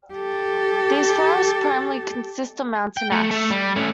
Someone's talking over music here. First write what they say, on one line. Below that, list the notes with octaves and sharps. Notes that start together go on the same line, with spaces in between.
These forests primarily consist of Mountain Ash.
G4 A4
G5
A3
A3
G3
A3 C#4